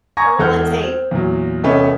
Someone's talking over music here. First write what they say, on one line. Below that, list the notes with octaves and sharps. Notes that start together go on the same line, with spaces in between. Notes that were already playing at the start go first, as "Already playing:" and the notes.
A roll of tape.
G#5 A#5 C#6 D#6 G#6 A#6
E1 E2 A4 F#5 F6 G6
C4
E2 A#2 F#3
E1 C3 A3 B3 C#4 D#5